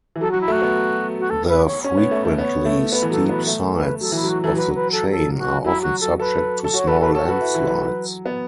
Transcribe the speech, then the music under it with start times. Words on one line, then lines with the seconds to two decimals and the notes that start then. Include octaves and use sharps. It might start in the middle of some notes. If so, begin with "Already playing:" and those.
The frequently steep sides of the chain are often subject to small landslides.
0.16 E3
0.20 F#3 A4
0.31 F#3 F#4
0.40 E4
0.48 A3 F#4
0.62 B3
1.19 F#4
1.29 A4
1.48 B4
1.66 C#5
1.84 C#4 C#5
1.97 B3
2.11 A3
2.25 A3
2.38 B3 C#5
2.65 A3
2.92 B3 B4
3.02 E3
3.10 F#3 A4
3.29 B3 B4
3.47 A3
3.75 B4
4.01 F#3 A4
4.12 E3 E4
4.23 F#3 F#4
4.43 E3 A4
4.56 F#3 B4
4.75 B4
4.92 A4
5.10 A4
5.38 F#4
5.64 F#3 E4
5.82 F#3 F#4
6.00 F#3 A4
6.19 A4 B4
6.64 A4
6.74 F#4 C#5
6.87 A4 B4
7.01 A4 B4
7.14 A4 C#5
7.28 F#4 B4
7.41 E4
7.55 E3
7.69 F#3
7.83 F#3
8.26 B3